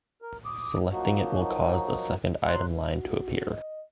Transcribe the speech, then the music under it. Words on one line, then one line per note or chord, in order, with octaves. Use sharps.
Selecting it will cause a second item line to appear.
A#4
D6 D#6
F3 F#3 A#3 D#4 F#4
F#3 C6 F#6
F#4
D#5